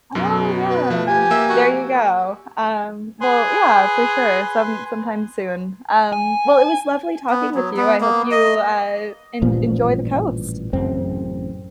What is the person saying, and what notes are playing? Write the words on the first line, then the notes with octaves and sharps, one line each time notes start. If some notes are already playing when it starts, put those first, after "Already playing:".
Oh, yeah. There you go. Um, well, yeah, for sure. Some sometime soon. Um, well, it was lovely talking with you, I hope you, uh, en enjoy the coast.
F#2 B2 F#3
B4
F3
G4 G#5
A#3 E5
F#4
G#4 B4 G#5 C6
G#5
B3
F#3
B3
A#3
D#5
A1 G2 A#2 F3
A1 F#2 C#3 C4